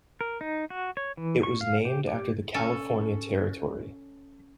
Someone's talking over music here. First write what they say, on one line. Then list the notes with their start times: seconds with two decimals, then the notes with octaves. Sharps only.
It was named after the California Territory.
0.21 A#4
0.41 D#4
0.70 F#4
0.97 C#5
1.17 E3
1.43 C#6
1.61 F5
1.85 G4
2.08 G4
2.54 C#4 A4 A5